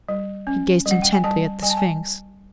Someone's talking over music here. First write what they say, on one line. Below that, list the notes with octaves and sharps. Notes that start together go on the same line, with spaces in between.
He gazed intently at the sphinx.
G3
C#4
G3
F#5
G5
G#5
G3 A5
G3 G#5
A5
G#5